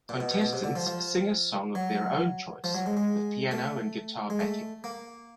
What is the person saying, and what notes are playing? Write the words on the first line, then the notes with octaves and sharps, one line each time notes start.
Contestants sing a song of their own choice with piano and guitar backing.
A#2
B2
B2
B2
C3
D3
F3
F3
F#3
F3
F#3
G#3
G#3
A3
G#3
A3
A#3